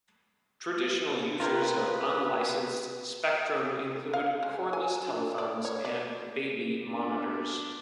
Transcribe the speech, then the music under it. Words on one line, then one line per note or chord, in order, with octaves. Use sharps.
Traditional users of unlicensed spectrum include cordless telephones, and baby monitors.
D#3 A#3 F4 B4
F5
G#3
G#5
D4
D5
C#5
D5
B3 D4